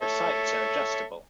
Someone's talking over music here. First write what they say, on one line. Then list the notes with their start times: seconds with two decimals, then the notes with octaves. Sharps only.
The sights are adjustable.
0.02 A4 C#5 E5